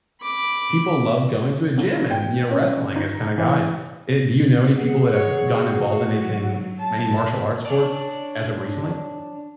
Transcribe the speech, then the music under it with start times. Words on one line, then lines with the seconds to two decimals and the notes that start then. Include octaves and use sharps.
people love going to a gym and, you know, wrestling as kinda guys. Eh, do you know any people that have gotten involved in anything many martial arts sports as of recently?
0.22 B5 D6
1.78 G1
2.11 G5
2.51 C#4
2.96 D#4
3.38 E3
4.78 G#4 F#5
5.08 C#5 F#5
5.53 F#4
6.22 F#3
6.78 A5
7.66 D4 C#5 D5